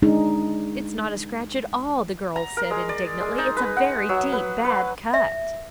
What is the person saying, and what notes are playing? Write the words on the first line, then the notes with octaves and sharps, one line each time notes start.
"It's not a scratch at all," the girl said, indignantly; "it's a very deep bad cut."
G#3 D4 D#4 G#4
A#5
A#4
G#3
D5
G#3
D#4
B4
F#5
F#3
B4
B4
E5